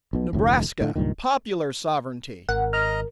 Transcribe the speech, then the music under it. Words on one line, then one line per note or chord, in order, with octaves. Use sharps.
Nebraska--Popular Sovereignty.
B1 B2
F1 D2 A2
A2 D3
C#2 G2 A#2 D#3
G#1 A#4 F#5
D#5 A#5 F6